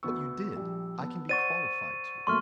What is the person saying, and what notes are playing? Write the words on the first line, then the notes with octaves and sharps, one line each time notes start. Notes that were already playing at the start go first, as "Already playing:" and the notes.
"But you did, I can be qualified to it."
D2 B3 C#6 E6
A#1 G3
B3 A5
C5 D5 F#5 C#6 A6 D#7
F#2 A3 A#3 C6 C#6 F6